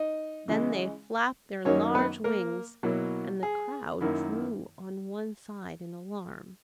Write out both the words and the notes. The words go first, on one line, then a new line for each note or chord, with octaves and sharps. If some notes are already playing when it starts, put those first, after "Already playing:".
Then they flapped their large wings and the crowd drew on one side in alarm.
Already playing: D#4 D#5
C#3 E3 G#3
F#2 D#3 F#3 A#3 C#4 D#4 C#5
B3 B4
A#3 A#4
B2 F#3 A#3 E4
G#4
F#2 D#3 A#3 E4